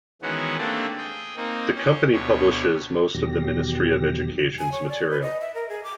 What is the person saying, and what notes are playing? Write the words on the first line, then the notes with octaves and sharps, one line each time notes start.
The company publishes most of the Ministry of Education's material.
D#3 E3 G#3 B3 C#4 F#4
A3 A#3 C4 D4 G4 D5
G#4 G5
A#3 C4 D#4
C#4 C5
D2 B2 G4 C#5
E2 B2 D#3 F#3 G4 A#6
G#5
C#5
D5
B4
D#5
E5
A#4
G#4
D6